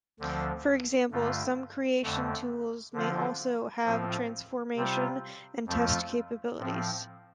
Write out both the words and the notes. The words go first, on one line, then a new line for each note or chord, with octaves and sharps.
For example, some creation tools may also have transformation and test capabilities.
D2 D3 F3 C4
G2 D3 A3 F4
F2 D3 A3
D3 F3 C4 F4
A2 F3 C4 F4
C3 G3 C4 F4
F2 F3 A3 C4 F4
A2 F3 C4